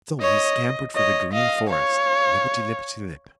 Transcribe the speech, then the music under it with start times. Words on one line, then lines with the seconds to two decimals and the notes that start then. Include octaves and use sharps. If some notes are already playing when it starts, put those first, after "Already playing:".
So he scampered for the Green Forest, lipperty-lipperty-lip.
0.21 C#5 D#5
0.96 C#5 D#5
1.33 D#5 F5
1.69 C#5 F5